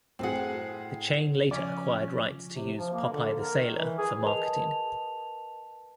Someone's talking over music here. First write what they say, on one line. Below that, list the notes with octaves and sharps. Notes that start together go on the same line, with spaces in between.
The chain later acquired rights to use "Popeye the Sailor" for marketing.
A2 C4 G#4 F#5
C#3 F3 C#4 D5
C3
F3
A#3
D3
A#4
D#3
E3
G#4
A#4 B4 D#5 A5 F7